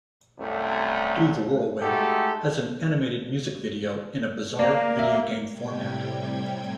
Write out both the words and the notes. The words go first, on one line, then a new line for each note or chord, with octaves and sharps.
"Do the Whirlwind" has an animated music video in a bizarre video game format.
C2 F#2 A3
G#3 A3 D#4 F#4 G4 A4
A#3 D5
E5
A2 C3 G3 G5 G#6